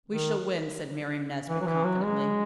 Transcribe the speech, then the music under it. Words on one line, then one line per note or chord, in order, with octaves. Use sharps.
"We shall win," said Miriam Nesbit confidently.
D#3
E3
F#3
E3
F#3
G#3